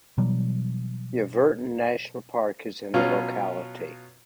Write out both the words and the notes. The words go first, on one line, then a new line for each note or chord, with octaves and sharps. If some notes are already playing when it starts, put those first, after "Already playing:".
Yelverton National Park is in the locality.
B2 E3 F#3 G3
B2 F#3 C#4 F4